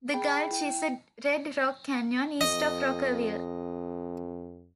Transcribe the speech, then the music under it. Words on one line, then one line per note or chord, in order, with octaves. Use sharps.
The gulch is a red rock canyon east of Rockerville.
G#4 G5 B5
E4 G5
F2 D#5